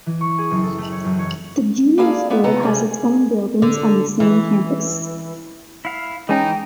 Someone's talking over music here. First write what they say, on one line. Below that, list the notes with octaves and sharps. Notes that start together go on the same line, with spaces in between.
The Junior School has its own buildings on the same campus.
E3
C#6
G#4
F#1
A4
A3
C#5
F#2
C#5
A#3 E4 G#4 A4 D5 F5
A#3 B3 E5
C#3 B3 A4 F#5 A#5
C3 G3 G#4
G#4
D3
E3
E4 F5
E3 G#3 C#4 D#4 G5 G#5 A#5